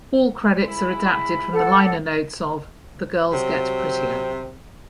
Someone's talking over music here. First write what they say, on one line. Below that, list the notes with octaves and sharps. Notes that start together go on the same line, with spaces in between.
All credits are adapted from the liner notes of "The Girls Get Prettier".
G#3 E4 B5
A4 F#5
C3 F#3 C4